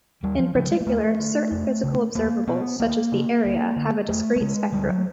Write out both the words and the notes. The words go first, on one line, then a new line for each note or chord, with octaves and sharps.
In particular, certain physical observables, such as the area, have a discrete spectrum.
D#2 G3
F3
C#3 F3
G#3
A#3
D#2 A3
D3
F2
C#3
E2 A#3
B2 B3
D2 A#3
C#3
D2
D3
F2 A3
A3
C#3 G#3
D2 G3
F#3